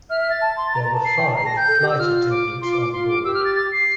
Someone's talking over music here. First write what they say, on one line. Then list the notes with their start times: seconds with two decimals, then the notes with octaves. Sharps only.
There were five flight attendants on board.
0.10 E5 F6
0.20 F6
0.30 A6
0.41 A5
0.57 C6
0.73 A#5
0.84 A#5
0.94 A5
1.05 C7
1.19 G5
1.28 A5
1.35 A#5 C7
1.46 A5 A#6
1.57 G5 G6
1.68 A4
1.82 G4
1.90 E6
1.99 F4 F6
2.30 D6
2.61 F4 C6
2.72 D6
2.82 D6
2.93 F4 C6
3.08 D6
3.24 G4 E6
3.34 F6
3.45 A6
3.56 A6
3.72 C7